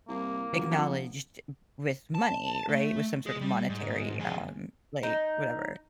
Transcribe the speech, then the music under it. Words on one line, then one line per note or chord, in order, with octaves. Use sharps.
acknowledged with money, right? With some sort of monetary, um, like, whatever.
C2 A#3
A1 F3 F#3
F2 D4 F4 F#5
A5
A3
G#3 G#4
G3
G#2
F2 G#4
D#4